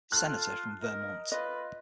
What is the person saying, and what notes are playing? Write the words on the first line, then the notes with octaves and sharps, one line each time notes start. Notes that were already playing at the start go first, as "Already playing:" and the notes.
Senator from Vermont.
F4 A4 F#6
A#4 D#5
F4 B4 D#5